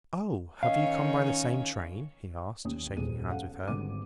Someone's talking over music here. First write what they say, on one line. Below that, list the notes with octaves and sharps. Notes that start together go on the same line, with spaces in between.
'Oh! have you come by the same train?' he asked, shaking hands with her.
D#3 C#4 D#5 F5
D#2 C#4 D#6
D#1 E2 D#7
C#4 A4 F5 F#5
G#1 D3 G3 B3 D6 D#7